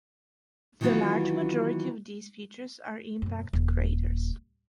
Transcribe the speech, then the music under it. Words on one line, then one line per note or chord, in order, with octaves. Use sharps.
The large majority of these features are impact craters.
D#3 E3 F#3 B3 F4 F#4
F#2 B2
D#1